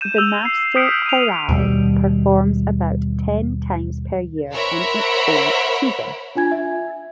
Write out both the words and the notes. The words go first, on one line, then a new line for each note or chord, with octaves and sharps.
The Master Chorale performs about ten times per year in its own season.
G6 D#7 E7
E6 F7
C7
D#6 F6 G6 B6 C#7 D7
D#7 F7
D#2 B2 G3
A#4 C5 C#5 E5 F#5 B5
D4 F4 G#5 G#6
E5